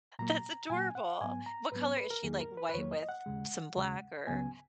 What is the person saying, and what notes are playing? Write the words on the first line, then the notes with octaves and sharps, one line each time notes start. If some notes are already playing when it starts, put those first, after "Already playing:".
that's adorable. What color is she, like, white with some black, or
A#2 F#3 A#3 A#5
A#2 F#3 A#3 G#5
F#5
G#2 F#3 B3 G#5
A#5
G#2 F#3 B3 B4
C#5
B4
A#4
E2 D#3 F#3 A#3 G#4
A#4
B4
B4
E2 D#3 F#3 A#3 C#5
D#5
F#5
D#2 C#3 G#3
D#2 C#3 G#3
C#2 C#3 F#3 B3 G#5